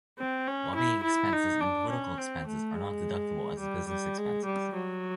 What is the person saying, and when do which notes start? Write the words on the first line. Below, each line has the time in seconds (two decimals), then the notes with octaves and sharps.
Lobbying expenses and political expenses are not deductible as business expenses.
0.19 C4
0.47 C#4
0.75 E4
1.04 E4
1.33 D#4
1.61 D4
1.90 C#4
2.18 C4
2.47 A3
2.74 G#3
3.60 G3
3.88 G3
4.17 G#3
4.45 G3
4.74 F#3